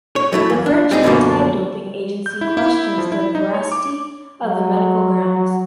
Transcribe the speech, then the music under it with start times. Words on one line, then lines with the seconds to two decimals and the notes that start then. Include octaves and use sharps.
The French anti-doping agency questions the veracity of the medical grounds.
0.16 C#5
0.33 F#3 A3 E4
0.50 E2
0.66 D4
0.91 G3 C4 D#4 G#4
1.03 F#2 B2 D3 E3 F3 A#3
2.26 G6
2.41 E4
2.57 E4
2.98 F3
3.12 E4
3.35 D#4
3.54 C#5
3.72 D6
4.44 F#3